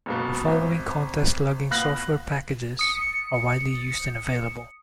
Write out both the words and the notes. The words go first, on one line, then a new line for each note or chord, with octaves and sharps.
The following contest logging software packages are widely used and available.
F#1 C#2 B2
G#1
A#2 B3 F5 F#6 A#6 F#7
D#6 C#7